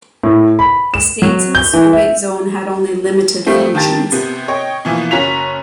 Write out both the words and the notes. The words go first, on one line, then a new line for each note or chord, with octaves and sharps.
The states in the Soviet zone had only limited functions.
A2
B5
E7
F#3
G6
E3
E5
F3 G3 A3 C4
D#3 G4 A5 A6
C3 B3
C#5 D#5 G5
B2 E3 F3 A#3 B3
F#1 C#4 F#4 A#5 B6 F7